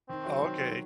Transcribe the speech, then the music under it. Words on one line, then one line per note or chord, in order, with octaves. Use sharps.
Oh, okay.
D#3 C4
F#3
D#3
F#3